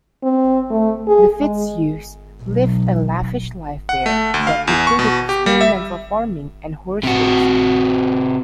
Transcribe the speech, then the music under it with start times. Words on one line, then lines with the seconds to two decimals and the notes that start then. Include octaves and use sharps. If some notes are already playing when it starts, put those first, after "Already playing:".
The Fitzhughs lived a lavish life there that included experimental farming and horse racing.
0.23 C4
0.70 A3
1.07 G#4
1.40 G#3
2.43 B1
3.89 F#5
4.06 A3
4.34 D2
4.47 F5
4.68 E2
4.87 C#6
4.99 B2
5.29 G4
5.46 G3
5.61 E5
7.04 C3 F#4